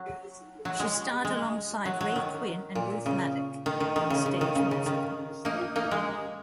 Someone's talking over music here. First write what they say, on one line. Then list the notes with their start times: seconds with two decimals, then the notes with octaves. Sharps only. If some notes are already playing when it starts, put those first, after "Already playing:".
She starred alongside Ray Quinn and Ruth Madoc in the stage musical.
Already playing: F#3
0.65 F#3
0.80 G#3
1.25 G#3
1.85 F#3
2.01 F#3
2.16 D#3
2.75 A#2
3.06 C#3
3.66 D#3
3.80 D#3
3.96 D#3
4.10 C#3
4.26 C#3
4.41 D#3
4.55 C#3
4.71 C#3
4.86 D#3
5.45 A#3 D#4
5.76 A#3 D#4
5.91 G#3